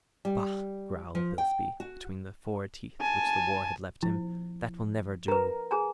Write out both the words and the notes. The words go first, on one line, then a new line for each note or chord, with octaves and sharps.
"Bah!" growled Bilsby between the four teeth which the war had left him; "that will never do!"
G3
F3
G5
F#4
G#5 A5
F3 E4
A#4 B4 A#5
G#4 G#5 A#5